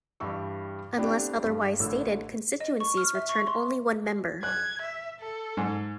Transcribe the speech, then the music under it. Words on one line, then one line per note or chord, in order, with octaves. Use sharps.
Unless otherwise stated, constituencies returned only one member.
G2 E3 G3 G4 C#6 E6
B3 C4 D4 E4 G4 A4
G2
A1 D3 E4 E6
D#5
C#6
F6
E5
C#6
C6
F#6 G#6
E5
A4
G#2